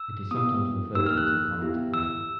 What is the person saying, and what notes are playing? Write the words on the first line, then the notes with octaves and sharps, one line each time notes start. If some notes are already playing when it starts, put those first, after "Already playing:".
It is sometimes referred to as the Carnatic Medal.
Already playing: E6
B3 E4 G4 D#6
A#3 D#4 G4 E6
F6
F#6
B3 E4 G4
E6